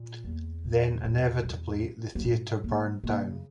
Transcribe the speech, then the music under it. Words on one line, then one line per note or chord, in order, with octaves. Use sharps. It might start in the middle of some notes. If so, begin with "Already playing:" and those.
Then, inevitably, the theatre burned down.
Already playing: A#2
E2 A#3
G#3
G3
E3
G2
A#3
G#2 G#3
A#3
B2 A#3
C#3